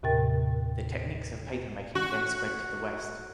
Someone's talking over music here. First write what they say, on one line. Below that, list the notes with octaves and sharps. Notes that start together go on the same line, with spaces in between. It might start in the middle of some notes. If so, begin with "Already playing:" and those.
The techniques of papermaking then spread to the West.
D#2 A2 C3 A#4 G5 A6
F#4